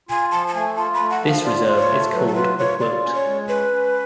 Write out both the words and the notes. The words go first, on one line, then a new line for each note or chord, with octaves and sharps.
This reserve is called the quilt.
F4 G#5
F3 A5
A5
A3 G#5
F4 A5
B5
A3
F#5
F3
F5
F4 D5
F4
C#5
A3
F#3 B4
A4
F4 B4
F4 C#5
F4 D5
C#4
C#5
G#3
C#4 B4
C#4